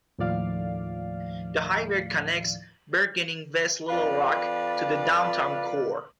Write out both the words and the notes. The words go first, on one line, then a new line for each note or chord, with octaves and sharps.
The highway connects burgeoning West Little Rock to the downtown core.
D#2 A2 F3 D5 F5
F2 B4 D5 F5